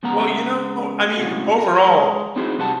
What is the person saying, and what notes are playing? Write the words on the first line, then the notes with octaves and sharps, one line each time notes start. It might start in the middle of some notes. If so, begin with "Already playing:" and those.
Well, you know I mean, overall,
C#3 G#3 B3 F#5 A#5
A2 C#3 E3 G#3 C4 F#4
A#4
G#3
C4 D#4 E4 F#4 G#4 C5
C3 G3 B4 F#5 A5